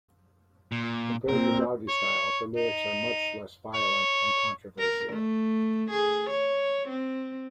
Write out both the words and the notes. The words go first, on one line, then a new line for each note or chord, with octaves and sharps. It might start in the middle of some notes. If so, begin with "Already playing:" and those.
Compared to Doggystyle, the lyrics are much less violent and controversial.
A#2
A#2 C4 A#4
C#5
D#4
C#5
A#4
A3
G#4
C#5
C4